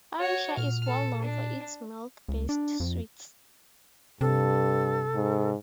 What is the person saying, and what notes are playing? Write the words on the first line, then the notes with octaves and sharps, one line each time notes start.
Odisha is well known for its milk based sweets.
F#4 C#5
A#2 F6
A4
D4
C#2
D4
F2
G2 C3 A4
G#2